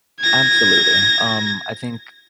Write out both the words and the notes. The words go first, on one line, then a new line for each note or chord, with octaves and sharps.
absolutely. Um, I think
G#6 A#6